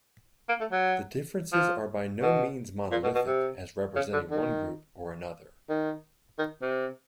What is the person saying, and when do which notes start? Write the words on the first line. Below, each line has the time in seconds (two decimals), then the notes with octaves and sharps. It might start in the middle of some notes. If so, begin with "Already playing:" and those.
The differences are by no means monolithic as representing one group or another.
0.49 A#3
0.60 A3
0.71 F#3
1.53 F3
2.22 B2
2.92 A#2
3.03 B2
3.15 B2
3.27 C3
3.96 C#3
4.13 D3
4.31 D#3
5.70 D#3
6.39 D#3
6.62 C3